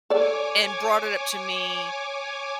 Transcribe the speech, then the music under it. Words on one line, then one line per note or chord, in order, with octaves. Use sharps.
and brought it up to me
A4 C#5 D5 G#5 D6